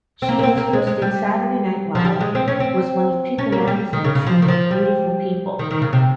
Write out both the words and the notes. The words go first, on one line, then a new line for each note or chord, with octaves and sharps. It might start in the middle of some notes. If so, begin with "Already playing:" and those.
She has hosted "Saturday Night Live", was one of "People Magazine"'s most beautiful people.
C4
A#3
A#3
C4
A#3
G#3
G#3
G3
F3
G3
G#3
C4
C#4
C4
C#4
A#3
G3
D#3
C#3
C#3
F3
D#3
F3
G3
D#3
D#3
C#3
C3